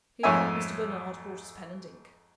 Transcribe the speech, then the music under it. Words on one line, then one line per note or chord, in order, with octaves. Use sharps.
Here Mr. Bernard brought us pen and ink.
F2 G#2 A3 C#5 E5 G#5